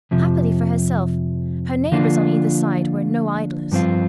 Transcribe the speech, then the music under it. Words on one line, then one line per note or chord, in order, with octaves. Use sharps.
Happily for herself, her neighbors on either side were no idlers.
F2 C3 F3
D3 F3 A#3 D4 F4
G2 F3 C4 F4